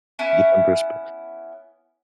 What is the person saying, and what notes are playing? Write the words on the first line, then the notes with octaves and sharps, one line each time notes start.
Get them perspec
B3 C#4 E4